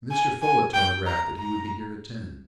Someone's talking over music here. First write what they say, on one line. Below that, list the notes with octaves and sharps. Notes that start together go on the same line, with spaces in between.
"Mr. Folett telegraphed that he would be here at ten."
G#5
G#5
G5
A#5
A#5